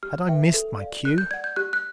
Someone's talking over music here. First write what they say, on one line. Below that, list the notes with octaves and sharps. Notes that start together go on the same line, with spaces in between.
Had I missed my cue?
G4 F6
B4 E5 G5
A4
D5 F5
A#4 F#6
G6
D5 F#5 G#6
G6
G4 F#6
F#6